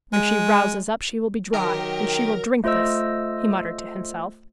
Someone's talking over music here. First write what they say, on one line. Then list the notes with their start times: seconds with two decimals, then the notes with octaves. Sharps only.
"When she rouses up she will be dry, and she will drink this," he muttered to himself.
0.13 G#3
1.54 D#3 F#3 G4 A#4
2.64 A3 F4 C5 D#5 E6